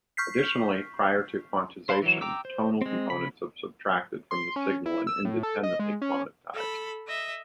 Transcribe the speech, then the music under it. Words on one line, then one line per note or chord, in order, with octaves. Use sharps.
Additionally, prior to quantization, tonal components are subtracted from the signal and independently quantized.
C#6 F6 G6 B6 C7
C5 F5 A5 B5 C6
E3 F#3
G5 A#5 D6 E6
C5
G#3 C4
C#3 B5
C6
C#4
E4
E6
A2
A4
D#5
G#3
C#4
A4 B5
D#5 E5